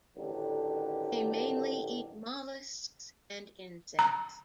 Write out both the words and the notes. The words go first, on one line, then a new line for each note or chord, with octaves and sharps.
They mainly eat molluscs and insects.
A1 D3 D#3 F#3 G4
A#5